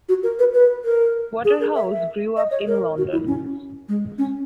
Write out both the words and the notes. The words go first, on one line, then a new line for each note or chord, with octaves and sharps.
Waterhouse grew up in London.
F#4
A#4
B4
B4
A#4
G#4
A#4
E5
E5
D#5
C#5
A#4
F#4
E4
C#4
G#3
C#4